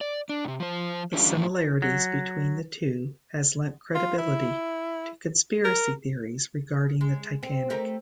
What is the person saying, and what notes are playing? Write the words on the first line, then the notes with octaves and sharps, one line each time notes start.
The similarities between the two has lent credibility to conspiracy theories regarding the Titanic.
D5
D4
G2 C3
F3 C5
D3 E3 G3 A3 C#4 F4
A2 E3 F3
F#3
F4
E4
A#4
G#3
C4
A3 G4 A#4